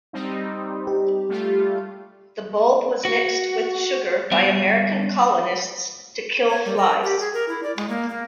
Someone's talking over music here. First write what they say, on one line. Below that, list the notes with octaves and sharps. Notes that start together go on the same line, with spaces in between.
The bulb was mixed with sugar by American colonists to kill flies.
G3 C4 D#4
G4
G3 A3 F4
F#4
G3 B3 D5 E5
C#5
G3
A#4
G4
G#4
A#4
E4
D5
G#3
A#3
A#3